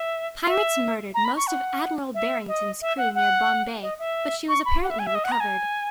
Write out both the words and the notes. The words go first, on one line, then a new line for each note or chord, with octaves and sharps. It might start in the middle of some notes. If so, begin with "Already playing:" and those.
Pirates murdered most of "Admiral Barrington"s crew near Bombay, but she was apparently recovered.
Already playing: E5
E5
A#5
B5
C#6
F#5
E5
D#5
E5
F#5
F#5
D#5
E5
C#6
B5
F#5
E5
G#5
E5
D#5
F#5
A#5
G#5